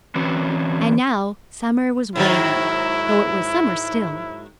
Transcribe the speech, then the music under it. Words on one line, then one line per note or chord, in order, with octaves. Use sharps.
And now summer was waning, though it was summer still.
E3 C4 C#4 F#4
G#2 D#3 F#3 E4